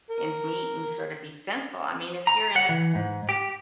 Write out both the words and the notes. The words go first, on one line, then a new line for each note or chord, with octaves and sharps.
ends meet and sorta be sensible. I mean if you're in a
A#4
A#5
F#5
E3
G#2
G4